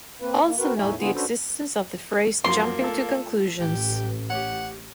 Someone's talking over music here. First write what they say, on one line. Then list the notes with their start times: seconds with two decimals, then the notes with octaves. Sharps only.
Also note the existence of the phrase "Jumping to conclusions".
0.21 A#3 C4 B4
0.43 A#3
0.58 C4 F#4 A#4 B4
0.77 E2 A2 D#4 C#5 E5 G#5
0.99 C#3 B3 D4 E4 F4 G#4
1.14 C#4 D4 F#4 A4 B4 C5
2.44 F#2 F3 F#3 A#3 C6
2.79 A3 F4 A4
3.60 A1 G4
4.30 G4 C#5 F#5